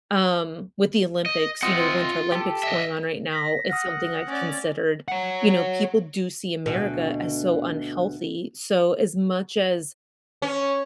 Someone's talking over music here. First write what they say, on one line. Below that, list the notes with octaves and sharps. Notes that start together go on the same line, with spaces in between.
Um, with the Olympics, you know, the Winter Olympics going on right now, it's something I've considered. You know, people do see America as so unhealthy, so, as much as
D#5
C4 F4 C5 D#5 F#5
G4 A4
D#5 E5
A#6 B6
F#5 D#6 F6 A#6
C#4 D5
C#5 F#5
D2 B2
C#4